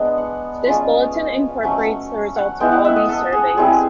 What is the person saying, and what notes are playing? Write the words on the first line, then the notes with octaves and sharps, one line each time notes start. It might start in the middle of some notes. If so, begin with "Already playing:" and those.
This bulletin incorporates the results of all these surveys.
Already playing: G#3 B3 D4
F#5
G#3 C#4 F4
F5
F#3 A3 C#4
F#5
G#3 B3 E4 G5
F#5
E5
D#5
A4
G#4
G3 C4 E4 G#4